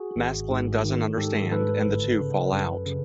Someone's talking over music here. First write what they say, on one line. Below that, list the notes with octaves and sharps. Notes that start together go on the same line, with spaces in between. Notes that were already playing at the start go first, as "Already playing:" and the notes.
Masklin doesn't understand, and the two fall out.
Already playing: F#4 G#4
G#1
G#2
D#3
G#2 G4 A4
G#2 A4 B4
G1
C#3
F#2
C#3